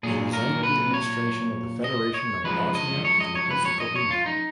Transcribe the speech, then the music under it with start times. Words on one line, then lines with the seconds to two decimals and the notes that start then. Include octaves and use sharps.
It is under the administration of the Federation of Bosnia and Herzegovina.
0.03 A#2 F#3 G#4
0.33 A#4
0.63 B4
0.94 C#5
1.84 D#5
2.14 C#5
2.44 F#2 F3 G#3 B4
2.75 D#5
3.05 C#5
3.20 D#5
3.35 C#5
3.51 B4
3.65 C#5
3.80 D#5
3.96 C#5
4.11 F4
4.26 D#4